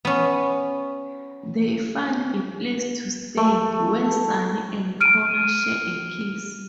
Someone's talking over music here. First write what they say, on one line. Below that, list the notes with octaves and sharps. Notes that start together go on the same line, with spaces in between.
They find a place to stay, where Sunny and Connor share a kiss.
B3 C#4
A3
F6 D7 D#7